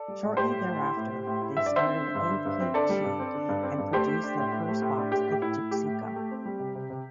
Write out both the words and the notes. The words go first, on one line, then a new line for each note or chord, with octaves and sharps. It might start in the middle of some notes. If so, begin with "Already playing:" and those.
Shortly thereafter, they started O-Pee-Chee and produced their first box of Gipsy gum.
Already playing: A4 D5
G3
A2
A2 G4 C5
A2
A2
E4
A2
A2
A2
E4
G2 E5
D5
D3 C5 E5
C4
D3
G2
D3
G2
C4
D3 A4 D5
G3
G2
C4
D3
G2
C4
G2
A3 G4 C5
A3
D4
A2
A2
A3
A2
D4
A2 G4
A2 G4
A2 E4
A2
A3 G4
A2
A3
A3
C4
G3
C3
C3
C3